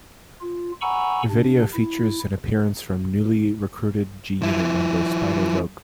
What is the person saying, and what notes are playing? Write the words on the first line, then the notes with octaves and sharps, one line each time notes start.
The video features an appearance from newly recruited G-Unit member Spider Loc.
F4
F#5 G#5 A#5 B5 C#6 E6
C3 D4
E4
F3 E4